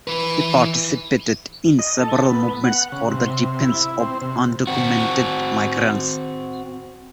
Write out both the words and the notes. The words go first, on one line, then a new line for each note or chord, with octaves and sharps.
He participated in several movements for the defense of undocumented migrants.
E3 B4
D#5
A4
B3
F#5
C#3
C3
E4
C4
C3
C4 F#4